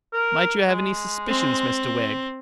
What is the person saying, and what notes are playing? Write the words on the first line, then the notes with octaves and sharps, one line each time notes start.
'Might you have any suspicions, Mr Wegg?'
A#4
G#3
C4